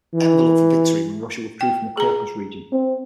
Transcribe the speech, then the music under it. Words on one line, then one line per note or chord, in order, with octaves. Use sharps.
Enver looked for victory when Russia withdrew from the Caucasus region.
E3
G5
G#4 A#5
C4